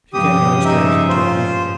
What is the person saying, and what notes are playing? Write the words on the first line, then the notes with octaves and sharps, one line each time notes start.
She came downstairs and told me.
G2 C#3 F3 G4 D#6
D#4 E5
F4 C5